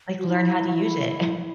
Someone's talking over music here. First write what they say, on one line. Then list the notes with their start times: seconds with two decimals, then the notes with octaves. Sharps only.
Like learn how to use it.
0.18 F#4
0.27 E4